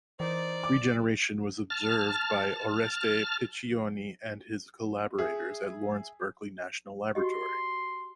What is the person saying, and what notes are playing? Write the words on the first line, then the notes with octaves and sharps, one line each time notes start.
Regeneration was observed by Oreste Piccioni and his collaborators at Lawrence Berkeley National Laboratory.
E3 D#4 A#4 C5 D5
D6
A5 F6
G#4 E5
F#4 G4 D#5 C6